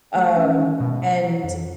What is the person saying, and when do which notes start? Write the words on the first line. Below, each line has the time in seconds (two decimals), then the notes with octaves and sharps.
um, and
0.15 A3
0.37 C#4
0.58 G#3
0.80 B2
1.01 B2
1.23 F#3
1.43 F2